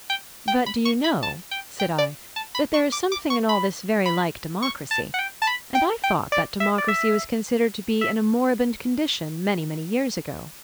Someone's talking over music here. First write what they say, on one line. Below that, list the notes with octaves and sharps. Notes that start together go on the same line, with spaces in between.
"But do you know," said I, "that there is something in all this very like democracy; and I thought that democracy was considered to be in a moribund condition many, many years ago."
G5
G5
B5
C#6
B5
A5
G5
G5
D5
A5
B5
C#6
D6
D6
C#6
B5
B5
C#6
A5
F#5
G5
A5
B5
G5
G5
D5
E5
D5
E5
E5